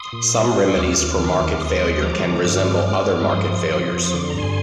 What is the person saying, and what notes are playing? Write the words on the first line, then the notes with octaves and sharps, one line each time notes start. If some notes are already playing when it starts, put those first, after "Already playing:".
Some remedies for market failure can resemble other market failures.
Already playing: C6 D#6
A#2
G3
G3
D#2 D6 F6
D#2
D#3 D6 F6
D#2
D#2 C6 D#6
G#3
F3 A#5 D6
D3
G2 D6 F6
G#3
G#3 D6 F6
G2
F3 C6 D#6
F3
F3
F2
D3 D6
C6
A#5
G2 G#5 C6